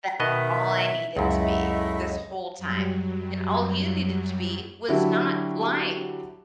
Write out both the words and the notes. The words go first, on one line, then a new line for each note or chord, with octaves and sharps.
That's all I needed to be this whole time, and all you needed to be was not lying.
B2 D#3 B3 D#5 E5
C#2 F#2 A3 E4 D#5
F#2 F#3 G3
D3 F#3 D4 E4 F#4 G4